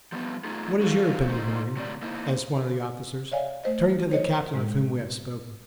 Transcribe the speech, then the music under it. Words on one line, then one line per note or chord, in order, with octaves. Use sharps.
"What is your opinion, Morgan?" asked one of the officers, turning to the captain of whom we have spoken.
F3 G3 B3
A3 D#4 F4 G#4
C#4 F#4 A4 C5 E5 F5
A3 D#4 C5
A2 D3 F#3 C4 G4 D5
A#3 C4 D#4 E4
C#5 D5 E5 F5 G#5
A3 C5 D#5
D#4 C5 C#5 D#5
A2 G#3